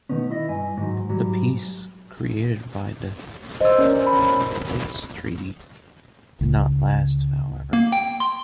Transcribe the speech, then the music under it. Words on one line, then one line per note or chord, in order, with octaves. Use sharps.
The peace created by the Bates Treaty did not last, however.
B2 D#3 A3 B3 C#4
E4 D#5
G2 G#5
G#2 D#3 F#3
G#2 F#3 G3
C5 D#5 E6
C#4 A#4 D5
B5
C#2
A#3
G5
C6